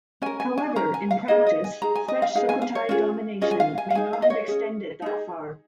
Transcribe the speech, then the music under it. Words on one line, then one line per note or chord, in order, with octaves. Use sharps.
However, in practice, such Sukhothai domination may not have extended that far.
C#4 A#4 G#5
G#5
G#5
C#4 A#4 A#5
G#5
F5
D#4 G#4 D#5
D#5
G#5
D#4 G#4 A#5
G#5
D#5
F5
D#4 G#4 F5
G#5
F5
C#5
C#4 F4 G#4
C#4 F4 G#4 D#5
G#5
F5
G#5
F5
D#4 G#4 G#5
F5
D#5
C#5
C#4 G#4
D#4 G#4